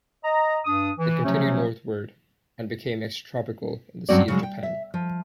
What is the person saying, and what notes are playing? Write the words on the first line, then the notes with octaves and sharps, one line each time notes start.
It continued northward, and became extratropical in the Sea of Japan.
D#5 A#5
G2 D4 D#6
E3
C3 F3 F#3 A3 C#4
G2 F#3 C4 C#4 F#4 D5
C#3 F#3 G#3
G5
E5
F3